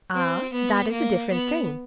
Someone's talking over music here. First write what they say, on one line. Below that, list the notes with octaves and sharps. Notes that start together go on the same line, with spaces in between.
"Ah, that is a different thing."
C4
B3
A#3
B3